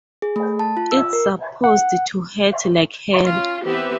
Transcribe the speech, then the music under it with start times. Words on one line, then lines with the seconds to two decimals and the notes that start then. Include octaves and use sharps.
It's supposed to hurt like hell.
0.22 G#4
0.36 A3
0.59 A5
0.77 F4
0.91 E6
1.13 A#4
1.64 F#5
3.25 C#4 F4
3.63 E3 B3 C4 G4 B4 E5